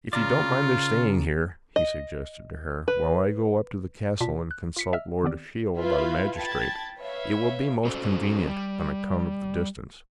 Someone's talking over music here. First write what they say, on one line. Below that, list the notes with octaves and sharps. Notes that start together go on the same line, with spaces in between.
"If you don't mind their staying here," he suggested to her, "while I go up to the castle and consult Lord Ashiel about a magistrate, it will be most convenient, on account of the distance."
C#3 F4 A#4 D5
D#5
B4
B2 F4 D5 A5 B6
F#6
F4 B6 C#7
D#5 E5 E6 F6
D#3 B3 C4 G4 D5
E4 F4 B4 E5 F5
G5 A5 B5 G#6 A6
B4 C#5 E5 F5
C#4 F#4 A4 C5
G3